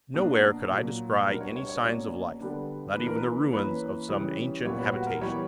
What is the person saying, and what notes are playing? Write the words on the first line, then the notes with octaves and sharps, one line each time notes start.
Nowhere could I descry any signs of life; not even the ruins of some ancient habitation.
B2 A#3 D4
A#2 F#3 A#3
B2 G3 B3 D4 A#4
C#5
C#5
C#5
B2 A#3 C#4 D5
D3 G3 B3 D4
E3 A#3 D4 B4
A#4
B4
E3 A#3 C#4 B4
C#3 E3 G3 C#4
A#2 G3 B3 C#5
B4
F#4
A#4
E3 G3 B3 C#5